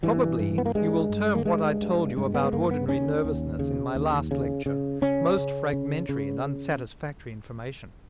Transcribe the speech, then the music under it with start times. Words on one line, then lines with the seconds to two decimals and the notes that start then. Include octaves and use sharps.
Probably you will term what I told you about ordinary nervousness in my last lecture most fragmentary and unsatisfactory information.
0.03 G2 E3
0.39 G2
0.58 B3
0.66 A#3
0.75 G2 G#3
1.10 G2
1.35 A#3
1.45 G2 G#3
1.81 G2
2.17 G2 G#3
2.34 B3
2.43 G#3
2.53 G2 A#3
2.71 B3
2.88 D#2 C#4
3.24 D#2
3.59 C#3
3.95 D#2
4.31 C#3
4.66 C#3
5.02 C#3 C#4
5.38 C#3
5.73 C#3
6.09 C#3